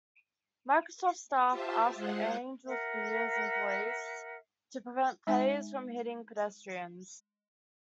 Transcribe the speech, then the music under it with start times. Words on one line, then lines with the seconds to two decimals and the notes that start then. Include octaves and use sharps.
Microsoft staff asked Angel Studios employees to prevent players from hitting pedestrians.
1.50 F4 G4 C5 E5 A5
1.95 G#3 F4 G#4 C5 F#5
2.66 A#4 E5 F#5
5.27 G#3 D#4 E5 G#5